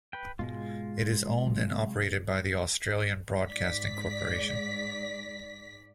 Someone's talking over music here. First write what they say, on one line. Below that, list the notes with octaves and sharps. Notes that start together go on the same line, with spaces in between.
It is owned and operated by the Australian Broadcasting Corporation.
B4 G5
G#2 B2 G#3 F4
C3 F#3
G#2 D5 B6